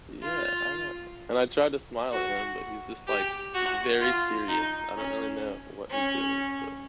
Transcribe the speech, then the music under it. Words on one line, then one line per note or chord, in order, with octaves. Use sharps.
Yeah, I know, and I tried to smile at him, but he's just, like he's very serious. I don't really know what his deal is, but
F4
F#4
G4
F#4
F4
D#4
C#4
C#4